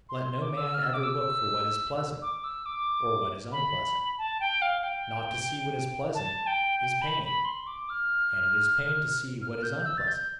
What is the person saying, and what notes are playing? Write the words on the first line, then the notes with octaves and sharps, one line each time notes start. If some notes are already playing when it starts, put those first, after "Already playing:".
Let no man ever look for what is pleasant, or what is unpleasant. Not to see what is pleasant is pain, and it is pain to see what is unpleasant.
C6
C6
D6
E6
F6
E6
D6
E6
D6
E6
D6
B5
A5
G5
F5
G5
A5
G5
G5
B5
B5
C6
D6
F6
F6
G6
E6
A6
G6